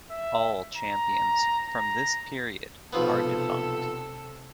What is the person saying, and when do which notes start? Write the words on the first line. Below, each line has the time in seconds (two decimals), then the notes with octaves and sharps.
All champions from this period are defunct.
0.11 E5
0.77 A#5
1.69 A#5
2.93 B1 C3 F3 B3 A4